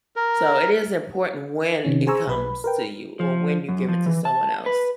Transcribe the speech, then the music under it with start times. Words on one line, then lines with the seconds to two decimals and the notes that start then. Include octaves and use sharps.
so, it is important when it comes to you, or when you give it to someone else.
0.16 A#4
1.85 C3 D#3 C#4
2.07 G#4 C5 G#5 A#5 C#6 E6
2.27 B1 B4 B5
2.64 A#4 B4 G5
3.20 F3
3.69 F#2
3.89 F3
4.06 E3
4.25 A5
4.66 B4